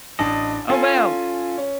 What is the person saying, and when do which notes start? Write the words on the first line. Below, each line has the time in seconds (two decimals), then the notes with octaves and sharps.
Oh wow.
0.19 A1 D4 D#5 A5
0.70 C#4 F4 A4 G#5
1.58 C#4